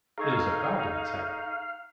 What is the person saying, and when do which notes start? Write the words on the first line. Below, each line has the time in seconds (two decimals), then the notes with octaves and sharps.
It is a goblin's head.
0.18 D#4 G#4 A4 F5 A#5 C#6 E6 G#6